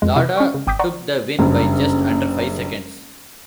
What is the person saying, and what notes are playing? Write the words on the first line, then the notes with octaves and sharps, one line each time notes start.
Lauda took the win by just under five seconds.
F2 G#3
C3 E4 E5
C#4 C#6
C#3
G#1 G5 D6 D#6 G6 B6
D5 F#5 A#5 C6 C#6
F#1 G2 C#3